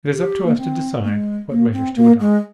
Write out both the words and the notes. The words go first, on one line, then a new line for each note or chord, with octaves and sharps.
"It is up to us to decide what measures to adopt."
G4
A#3
C4
A#3
G#3
A#3
C4
A#3
G#3